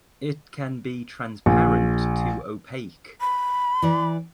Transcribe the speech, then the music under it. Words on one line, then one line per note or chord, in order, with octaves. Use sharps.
It can be transparent to opaque.
A#1
B5
E3 D5